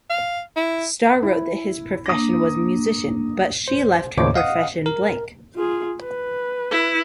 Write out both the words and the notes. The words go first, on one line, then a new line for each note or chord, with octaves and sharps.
Starr wrote that his profession was 'musician', but she left her profession blank.
F5
E4
E4
A#3 D4 D#6 A#6
C5
D#2 A2 C#3 C5 C#5 D6
D#5 F5 F#5 D#6
A#4
F4 G#4
B4
E4